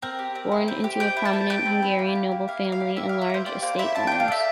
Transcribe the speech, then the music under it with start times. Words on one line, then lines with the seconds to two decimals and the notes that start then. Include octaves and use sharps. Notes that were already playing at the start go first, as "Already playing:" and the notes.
Born into a prominent Hungarian noble family and large estate owners.
0.02 C4 A#4
0.19 G4
0.35 C4
0.52 E4
0.68 C4
0.84 G4
1.00 C4 G5
1.17 E4
1.25 A5
1.33 C4
1.49 G4 G5
1.66 C4
1.83 E4
1.99 A#3
2.15 G4
2.32 A#3
2.48 E4 F5
2.64 A#3
2.72 F5
2.80 G4
2.97 A#3 E5
3.09 F5
3.13 E4
3.21 E5
3.30 A#3 C5
3.46 G4 D5
3.62 A#3 C5
3.78 E4 E5
3.95 D4 A5
4.07 G5
4.12 D4
4.20 F5
4.28 A4 E5